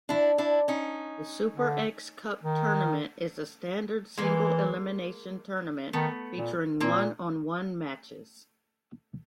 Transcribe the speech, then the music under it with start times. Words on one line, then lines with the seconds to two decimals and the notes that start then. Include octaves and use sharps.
The Super X Cup tournament is a standard single-elimination tournament featuring one-on-one matches.
0.09 D4 E4
0.38 D4 E4
0.68 C#4 D#4
1.55 D3
2.44 D#3
4.17 E3 G#3 A#3
5.93 D#3 A3 B3
6.37 A#2
6.80 A#2 A#3 C4